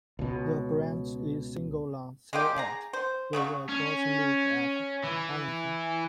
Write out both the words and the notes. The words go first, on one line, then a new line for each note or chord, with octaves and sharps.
The branch is single line throughout, with a crossing loop at Allanton.
C#2 B2
G#3 A#3 F4 G4
G#4 A#5
C5
C#3 F#3 E4 C#6
C#4
E3